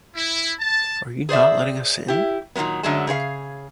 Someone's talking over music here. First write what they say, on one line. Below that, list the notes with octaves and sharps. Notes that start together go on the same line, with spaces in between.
Are you not letting us in?
E4
A5
G#4 C5 D5 E5
E4 G4
A#2 D#3 F#3 G#3 B3
F#2 D3 F#3 G#3 A3 A5
C#3 G#4 C#5 F5